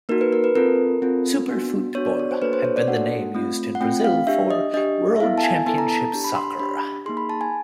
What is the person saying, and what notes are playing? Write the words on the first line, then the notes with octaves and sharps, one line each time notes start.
"Super Futebol" had been the name used in Brazil for "World Championship Soccer".
A#3 D#4 F#4 A#4
B4
A#4
B4
C4 F4 A4 A#4
C4 F4 A4
B3 D4 F#4
B3 D4 F#4 C#5
D5
C#5
C5
A#3 D4 F#4 A4 B4
C5
C#5
D5
A#3 D4 F#4 A4 F#5
A3 C4 F4
F#5
A3 C4 F4 G5
F5
D4 G4 E5
D#5
D4 G4 D#5
E5
B3 E4 A4 F5
A5
G#5
B3 E4 A4 A5
A#5
A5
D4 G4
B5
C6
D4 G4 B5
A#3 D#4 G#4 C6
B5
A5
G#5